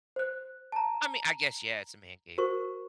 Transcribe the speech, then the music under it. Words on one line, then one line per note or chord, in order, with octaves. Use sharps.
I mean I guess, yeah, it's a man cave.
C5 F#6
A5 A#5
F#4 A#4 C5 C#6